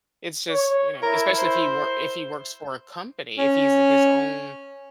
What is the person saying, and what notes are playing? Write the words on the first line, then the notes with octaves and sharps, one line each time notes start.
It's just, you know, especially if he work if he works for a company, if he's his own
C#5
E4 A#4
C5
C#4